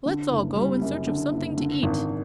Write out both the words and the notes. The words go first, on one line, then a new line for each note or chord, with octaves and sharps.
"Let's all go in search of something to eat!"
D3
F#1
G3
F#2
D3
F#1
D3
G#1